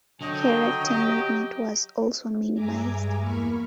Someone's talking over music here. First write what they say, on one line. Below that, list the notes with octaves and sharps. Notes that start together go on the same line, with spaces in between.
Character movement was also minimized.
D3 F#3 D#5 G5
G4
G2 G#3 E5 G#5 A#5 D6
E2 A#3 B5 C#6 F6